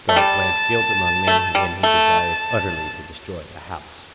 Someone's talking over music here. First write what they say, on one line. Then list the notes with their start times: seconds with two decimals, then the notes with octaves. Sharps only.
'God plants guilt among men when he desires utterly to destroy a house.'
0.09 A3
0.16 G3 A5
1.27 A3
1.55 G3
1.83 A3 A5